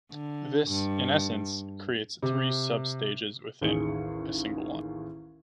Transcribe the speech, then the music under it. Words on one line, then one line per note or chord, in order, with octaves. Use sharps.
This, in essence, creates three sub-stages within a single one.
D3
G2
C3
A1 D#2 G#4 C#7